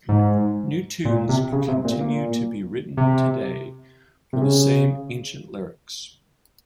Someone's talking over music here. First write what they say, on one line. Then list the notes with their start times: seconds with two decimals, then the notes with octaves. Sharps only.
New tunes continue to be written today for the same ancient lyrics.
0.09 G#2
1.05 A#2
1.29 C3
1.52 C#3
1.68 C3
1.84 A#2
2.01 A#2
2.97 C3
4.33 C3
4.42 C#3